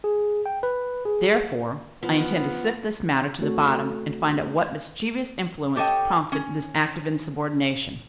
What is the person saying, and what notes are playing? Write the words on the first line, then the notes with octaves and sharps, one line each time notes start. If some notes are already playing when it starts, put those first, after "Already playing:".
Therefore, I intend to sift this matter to the bottom and find out what mischievous influence prompted this act of insubordination.
G#4
G5
B4
G#4
F3 B3
A3 C4 F#4 A4 C#5
G4 A4 C#5 D#5 G5
C#4